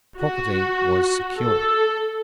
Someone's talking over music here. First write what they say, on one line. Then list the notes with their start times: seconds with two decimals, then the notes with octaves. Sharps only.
Property was secure.
0.18 F#4
1.37 A4